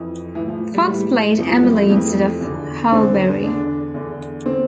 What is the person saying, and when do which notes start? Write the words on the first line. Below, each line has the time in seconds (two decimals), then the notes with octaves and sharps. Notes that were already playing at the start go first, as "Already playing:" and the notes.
Fox played Emily instead of Halle Berry.
Already playing: F2 E3
0.35 A2 E3
0.48 F3
0.74 G3
0.86 A2 E3 G3
1.38 F2 C3 E3 F3
1.51 F3
1.63 G3
1.77 A3
1.89 F2 C3 E3
2.41 E2 D3
2.92 E2 D3 C4
3.44 E2 D3 D4
3.94 E2 D3
4.46 D3 C4